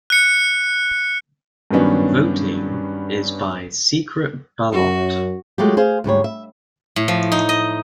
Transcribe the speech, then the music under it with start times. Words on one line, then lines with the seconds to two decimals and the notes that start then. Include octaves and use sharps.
Voting is by secret ballot.
0.10 F#6 C#7
1.71 G2 D#3 F#3 B3 C#4 D4
4.73 F#2 F#4
5.58 F#3 G#3 A3 F4 G4
5.77 G#4 C5 F5
6.04 D2 G#2 G3 C#5
6.24 E5
6.96 A2
7.08 F3
7.32 D#4
7.49 D#5